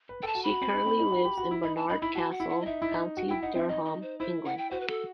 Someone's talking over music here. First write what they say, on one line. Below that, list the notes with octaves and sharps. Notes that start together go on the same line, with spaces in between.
She currently lives in Barnard Castle, County Durham, England.
B4
A4 G5 A5
F#4
B5
F#4
C4
D#4
C4
D#4
F#4
G4
F#4
E4
D#4 B5
A5
D#4 B5
E4 B5
F#4 A5
F#5
E4
F#5
D#5
D#4 E5
E4
D#4
F#4
E4 G5
D#4 F#5
C4 E5
D#4 D#5
D#5
C5
E4 C5
F#5
G5
F#4 C5
B4
A4